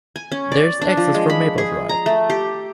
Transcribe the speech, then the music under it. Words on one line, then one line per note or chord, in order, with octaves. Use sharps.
There is access from Maple Drive.
G#5
C#4
D5
D4
F3
G#3
B5
G#4
A#5
A3
G4